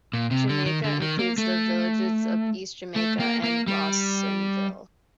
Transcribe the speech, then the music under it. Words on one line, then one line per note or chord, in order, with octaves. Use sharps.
Jamaica includes the villages of East Jamaica and Rawsonville.
A#2
C3
D3
D#3
D3
D#3
A#3
A3
A3
A#3
A#3
G3